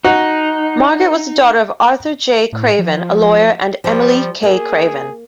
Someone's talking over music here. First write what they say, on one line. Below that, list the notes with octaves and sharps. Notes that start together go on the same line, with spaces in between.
Margaret was the daughter of Arthur J. Craven, a lawyer, and Emily K. Craven.
D#4 F#4
A2
F3
F3 G3
A#3 G#4